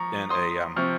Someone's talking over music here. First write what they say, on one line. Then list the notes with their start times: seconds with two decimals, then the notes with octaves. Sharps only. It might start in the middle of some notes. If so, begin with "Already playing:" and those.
in a, um,
Already playing: F3 A#5 C#6
0.30 C6 D#6
0.76 C3 F3 C#6 F6